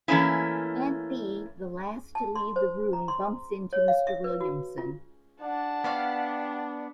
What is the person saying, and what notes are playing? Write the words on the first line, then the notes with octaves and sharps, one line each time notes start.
Aunt Bea, the last to leave the room, bumps into Mr. Williamson.
E3 A3 A#3 C#4 E4
A5
C6
C5
A#5
C6
C#5
F5
E5
B4
F#4
F4
D4 F#5 A5
B3 G4 D5 F5 C#6